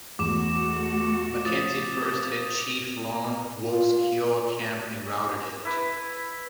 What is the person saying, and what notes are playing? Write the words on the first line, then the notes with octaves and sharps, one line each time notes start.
Mackenzie first hit Chief Lone Wolf's Kiowa camp and routed it.
E2 A3 F#4 D6 E7
F3 D#6 A6
F4
E4 B4